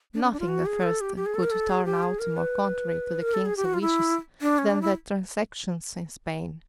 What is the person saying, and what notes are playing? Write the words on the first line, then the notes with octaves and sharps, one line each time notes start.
Nothing at first could turn out more contrary to the king's wishes than the transactions in Spain.
D4
C#4
D4
F4
F#4
G#4
A4
G4
G4
G#4
A4
A#4
A4
G#4
G4
G#4
A#4
B4
A#4
A4
G#4
G4
F#4
F4
E4
D4
C#4
D4
E4